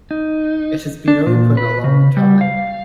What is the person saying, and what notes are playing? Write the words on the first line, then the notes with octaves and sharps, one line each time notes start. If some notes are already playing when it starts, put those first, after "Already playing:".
It has been open a long time!
D#4
D4
A#2
B4
C#3
G3
F5